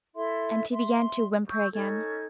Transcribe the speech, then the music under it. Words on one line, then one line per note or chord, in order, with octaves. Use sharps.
And he began to whimper again.
E4 A4 E5 C6
E5 C6
C#6 E6 G6
C#4 D#4 A4 G#6